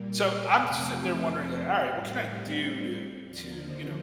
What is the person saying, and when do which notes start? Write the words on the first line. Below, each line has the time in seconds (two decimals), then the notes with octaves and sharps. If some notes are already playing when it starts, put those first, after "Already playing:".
So, I'm sitting there wondering, "Alright, what can I do do to, you know,
Already playing: A#2 G3 A#3
0.21 A4
0.55 F2 C3 F3 A3 C4 A#4
0.88 A4 C5
1.89 A2 G3 C4 A#4 D5
3.23 D#2 D3 F3 A#3 D5 F5
3.57 C5 D#5